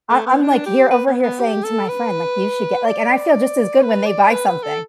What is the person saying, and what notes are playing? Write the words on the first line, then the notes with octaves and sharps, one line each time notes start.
I I'm, like, here over here saying to my friend, like, "You should get" like, and I feel just as good when they buy something.
A3
B3
D4
G4
B4
B3
B3
G4
A4
B4
D5
D5
B4
D5
B4
B4
A4